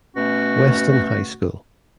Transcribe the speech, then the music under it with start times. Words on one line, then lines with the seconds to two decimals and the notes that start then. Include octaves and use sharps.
Weston High School.
0.16 B2 A3 C#4 F#4